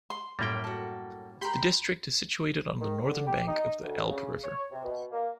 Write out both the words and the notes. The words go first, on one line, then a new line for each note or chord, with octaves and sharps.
The district is situated on the northern bank of the Elbe River.
C6
F#2 A2 G3 A#3 G5
F#4 A4
G4 A#4 B5 C6 G6
D#3
D3
G4
D#4
D2
C#3
C#5
C3
B2
A#3